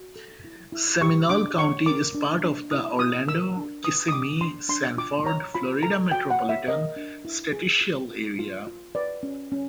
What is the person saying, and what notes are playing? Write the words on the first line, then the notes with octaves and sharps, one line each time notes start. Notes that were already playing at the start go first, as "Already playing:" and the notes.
Seminole County is part of the Orlando-Kissimmee-Sanford, Florida Metropolitan Statisticial Area.
Already playing: F#4
A4
E4
E4
G4 C#6
D4 D6
C#5 C#6
A#4 D6
D4
D4
E4 D#6
E4 D#6
A#4 E6
D4
B4 D#6
D#6
D4 D6
D4 C6
D4 C6
F4 D6
C#5 A#5
F4 B5
A4 A#5
F#4 G5
F#5
C#5
E5
A#4 D#5
D4
E4
G#4
F4
F4
F4
F4
B4 D5
C#4
C#4